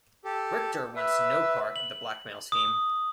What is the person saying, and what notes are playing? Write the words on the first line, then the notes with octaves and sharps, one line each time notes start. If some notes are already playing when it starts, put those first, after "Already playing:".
Richter wants no part of the blackmail scheme.
G4 A4
B4 E5
F#7
D#6